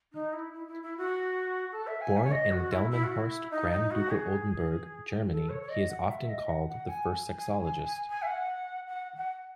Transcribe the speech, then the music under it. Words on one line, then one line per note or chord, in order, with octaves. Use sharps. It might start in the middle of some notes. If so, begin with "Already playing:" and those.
Born in Delmenhorst, Grand Ducal Oldenburg, Germany, he is often called the first sexologist.
D#4
E4
E4
E4
E4
F#4
A4
E5
G#5
E5
C#5
D#5
F#4
E4
E4
F#4
E4
D#4
D#4
F#4
G#4
A4
C#5
C#5
D#5
F#5
E5
D#5
F#5
F#5
G#5
G#5
G#5
G#5
G#5
G#5
E5
F#5
F#5
F#5